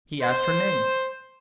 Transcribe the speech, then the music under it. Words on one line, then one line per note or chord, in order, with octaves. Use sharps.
He asked her name.
C5